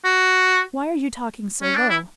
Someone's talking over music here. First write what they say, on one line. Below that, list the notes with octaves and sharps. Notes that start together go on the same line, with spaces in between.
Why are you talking so low?
F#4
C#4
D4
E4